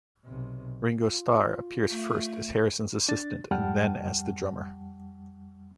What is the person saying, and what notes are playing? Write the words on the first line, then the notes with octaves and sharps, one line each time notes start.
Ringo Starr appears first as Harrison's "assistant" and then as the drummer.
B1 C3
F4
A3
D4 A6
F2 G3 F#5 G5 A5 F6